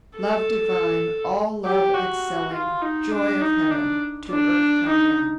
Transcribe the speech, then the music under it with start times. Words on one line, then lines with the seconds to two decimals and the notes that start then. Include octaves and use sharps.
"Love divine, all love excelling; Joy of heaven, to earth come down."
0.17 A4
1.65 G4
1.94 F#4
2.53 F4
2.82 D#4
3.12 D4
3.42 D#4
3.71 D4
4.30 D4
4.89 D#4